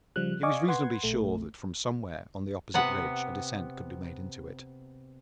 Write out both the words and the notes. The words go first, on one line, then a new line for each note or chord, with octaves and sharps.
He was reasonably sure that from somewhere on the opposite ridge a descent could be made into it.
C#3 F3 G3 F#6
D5 D#5 F5 G#5 C#6 D6
B4 F#5 C6 G#6
A#1 A3
C3 B3 F#5